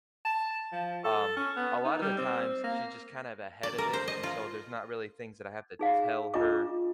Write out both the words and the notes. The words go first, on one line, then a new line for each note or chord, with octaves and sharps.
um, a lotta the times she's just kind of ahead of it and so there's not really things that I have to tell her,
A5
F3
A4
C#4
B3
D#4
G3
C4
A#3
D5
A#4
C5
D#5
F4
D#4 G#4 F5
D4 F4 D#5 D6